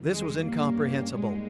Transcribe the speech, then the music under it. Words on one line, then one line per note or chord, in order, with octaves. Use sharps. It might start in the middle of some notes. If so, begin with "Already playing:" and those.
This was incomprehensible.
Already playing: F2 D#3 G3
G#3
G2 G3 A#3 C#4 G4 C#5
G#2 G3 G#3 A#3 D#4